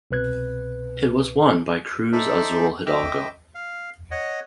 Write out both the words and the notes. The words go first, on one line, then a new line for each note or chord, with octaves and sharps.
It was won by Cruz Azul Hidalgo.
C2 B2 B4 F#6 G#6
D#4 A4 C5 D5 E5
D#5 E5 G5 D6 E6
F5
C#5 D#5 F#5